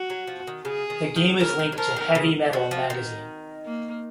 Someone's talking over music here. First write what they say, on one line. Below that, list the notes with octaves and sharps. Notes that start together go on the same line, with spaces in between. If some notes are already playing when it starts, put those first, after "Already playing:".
The game is linked to "Heavy Metal" magazine.
Already playing: F#4
F#3
F3
D#3
C#3 G#4
D#3
D#3
C#3 A#4
D#3
F#3
F3 A#4
D#3
C#3
D#3 F#4
F3
D#3
A#3